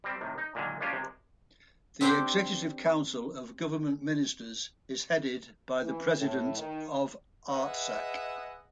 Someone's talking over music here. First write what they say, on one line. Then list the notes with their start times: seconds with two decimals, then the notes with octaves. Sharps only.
The executive council of government ministers is headed by the President of Artsakh.
0.04 G3 C4
0.21 A2 C3 D#3
0.38 D#4
0.55 A#2 D3 D#3 F#3 G#3
0.81 G#3 A#3 C#4 D4 F4 G4
0.93 C3 G#3
2.01 C4 D4 G4 C5 D5 G5
5.83 E3
6.19 A2
6.58 D#3
7.48 G#4 B4 D#5 E5 F#5